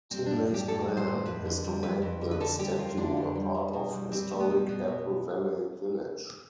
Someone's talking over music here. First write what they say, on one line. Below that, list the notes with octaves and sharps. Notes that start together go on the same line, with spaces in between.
Tinsley's plan is to make the statue a part of historic Apple Valley Village.
G3 C4
A2 D4
G3 G4
A2 A4
G3
C5
A2
F2 B4
D3
G3
F2 B4
F2
D3
B4
D3 A4
G3 G4
F2 F4
D3 D4
F2
G3
G3
B2
G3
G3 C4
B2 A3
B3
G3
B2 B3
B2